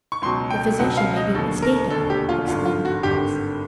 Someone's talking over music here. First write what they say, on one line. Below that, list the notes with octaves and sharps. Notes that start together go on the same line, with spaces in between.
"The physician may be mistaken!" exclaimed Dantes.
C#6
C#2 B2 F#3 C6
G5
C#2 B2 F#3 F#5
F5
D#5
E1 D#2 D3 A4
A#4
E1 D#2 D3 A4
G4
F4
G#1 G2 D3 F4
F4
F#4
G#1 G2 D3 G4